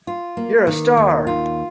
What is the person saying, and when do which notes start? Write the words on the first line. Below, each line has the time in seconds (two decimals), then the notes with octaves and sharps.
You're a Star!.
0.07 F4
0.37 A#3
0.67 D#3
0.97 D#2
1.27 F4